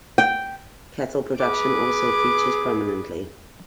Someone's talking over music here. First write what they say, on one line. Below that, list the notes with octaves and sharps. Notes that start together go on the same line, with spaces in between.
Cattle production also features prominently.
G5
G#4 B4 D6